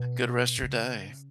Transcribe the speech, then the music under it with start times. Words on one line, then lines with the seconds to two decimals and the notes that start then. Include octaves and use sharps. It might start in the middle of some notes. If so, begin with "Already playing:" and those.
good rest of your day.
Already playing: B2
0.63 C#3